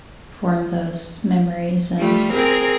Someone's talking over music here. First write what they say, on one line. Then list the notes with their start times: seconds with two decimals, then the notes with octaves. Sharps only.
form those memories, and
1.98 G3 A3 F4
2.33 C4 G#4 A#4